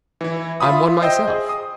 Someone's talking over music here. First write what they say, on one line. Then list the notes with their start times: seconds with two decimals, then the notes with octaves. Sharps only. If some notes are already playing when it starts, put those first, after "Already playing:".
"I'm one myself."
0.21 E3 E4
0.60 F4 E5 B5 D#6
1.02 C5 D#5 G5 E6
1.27 G#4
1.49 D#6